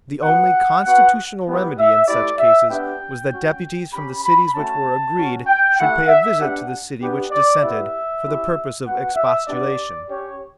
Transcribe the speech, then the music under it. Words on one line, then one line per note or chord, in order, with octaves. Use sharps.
The only constitutional remedy in such cases was that deputies from the cities which were agreed should pay a visit to the city which dissented, for the purpose of expostulation.
B3 F#4 F#5
B3 F#4 F#5
G3 B3 E4 G4
E5
A3 E4 G4 D5
E5
B3 D4 G4 G5
C#4 F#4
C#4 G4 B5
B5
A3 C#4 F#4 A5
C#4 F#4
G5
A3 E4 G4 F#5
E5
B3 D4 G4 F#5
B3 D4 G4
D5
B3 E4 G4 E5
C#4 E4 G4
B3 F#4 F#5
E5
B3 D4 G4 D5
C#4 G4 C#5